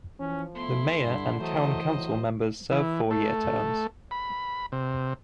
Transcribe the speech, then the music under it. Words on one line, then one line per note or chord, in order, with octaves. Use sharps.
The Mayor and Town Council members serve four year terms.
E3 F3 C#4
A3 B3 E4 C6
G2 D3
E3 F#3 A3 C5 D#5
A2 F#3
E3
A3
B5
C3